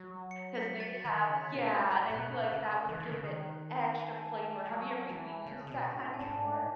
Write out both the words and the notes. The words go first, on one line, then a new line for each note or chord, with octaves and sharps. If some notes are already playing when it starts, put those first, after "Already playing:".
'cause they have yeah, and I feel like that would give it extra flavor. Have you ever used that kind before?
Already playing: F#3
C#7
B6
A6
D#3 G#6
C#3
B6
B2
A2 G#6
A2
B2 F#6
C#3
E3
D#3
C#3
D#3
G#5
A5
G#5
G#3
F#3
E3
C#3
C#3
B2
A2
G#5
G#2 A5
A2